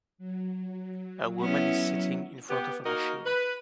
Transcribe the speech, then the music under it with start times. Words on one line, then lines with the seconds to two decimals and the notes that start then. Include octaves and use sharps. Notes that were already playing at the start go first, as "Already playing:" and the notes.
A woman is sitting in front of a machine.
0.18 F#3
1.40 B3 C#4 E4
2.50 B3 G4
2.86 A#3 D#4 F#4 A#4
3.26 B4